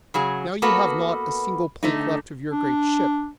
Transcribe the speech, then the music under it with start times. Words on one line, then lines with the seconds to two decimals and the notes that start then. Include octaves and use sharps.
Now you have not a single plank left of your great ship!
0.14 C#3 F#3 G#4
0.62 A#3 B3 F#4 A4 B4
1.83 D3 A3 D#4
2.51 D4